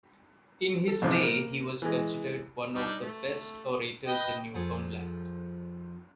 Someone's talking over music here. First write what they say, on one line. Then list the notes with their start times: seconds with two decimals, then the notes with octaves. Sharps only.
In his day he was considered one of the best orators in Newfoundland.
0.88 A4
1.02 A#1 G#2 C3 E3 F3
1.23 A#3
1.82 E3 G#3
2.74 G3 D4 D#4
3.00 A3
4.07 B4 D#5 G5
4.54 F2 F3 G#4 A4